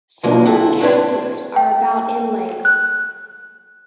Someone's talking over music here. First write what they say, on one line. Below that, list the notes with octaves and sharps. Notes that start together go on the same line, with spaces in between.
Full grown caterpillars are about in length.
B2 D3 F3 F#3 G#3 A#3
C4 D4 E4 F#5
D4 E4 B4 C#5 D5
G5
F#6